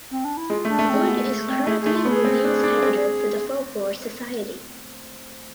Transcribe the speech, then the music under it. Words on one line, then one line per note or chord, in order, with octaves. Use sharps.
Wood is currently Reviews Editor for the Folklore Society.
C4
D4
E4
G#3 F4
A3
D4
A3
G#3 C4
B3
C4
A3 G#4
G#4
A3
F4
B3
G#4
C4
D4
D4
C4